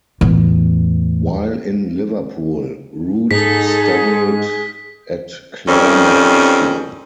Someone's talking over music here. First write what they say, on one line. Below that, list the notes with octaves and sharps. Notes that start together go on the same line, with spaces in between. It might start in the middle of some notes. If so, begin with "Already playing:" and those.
While in Liverpool, Root studied at Clare Mount School.
E2 A2
G#2 D#4 G#4 A4 B6
F2 D#3 G3 C4 C#4